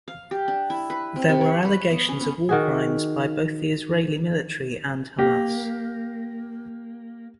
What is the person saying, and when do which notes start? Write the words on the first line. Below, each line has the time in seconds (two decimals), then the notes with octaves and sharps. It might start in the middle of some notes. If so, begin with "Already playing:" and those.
There were allegations of war crimes by both the Israeli military and Hamas.
0.08 F5
0.31 G4
0.48 D4
0.70 E4
0.90 B4
1.16 C4
1.29 C3
1.41 C#5
1.65 B4
1.90 B3
2.09 C#4
2.21 B3
2.49 D#3 F#4 G#4
5.19 A#3 G4